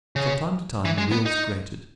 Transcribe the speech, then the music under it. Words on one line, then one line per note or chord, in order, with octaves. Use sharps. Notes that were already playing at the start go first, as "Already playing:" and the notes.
From time to time the wheels grated.
C#3
E3
G#3
B3
D#4